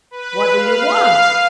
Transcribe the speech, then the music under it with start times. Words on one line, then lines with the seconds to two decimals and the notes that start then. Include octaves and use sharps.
"What do you want?"
0.11 B4
0.55 F5